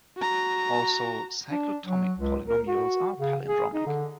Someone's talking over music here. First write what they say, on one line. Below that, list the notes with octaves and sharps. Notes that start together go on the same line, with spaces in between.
Also, cyclotomic polynomials are palindromic.
F#4 A#5
D4
F#3
C#2
A#4
F#4
C#3
G#4
D#4
D3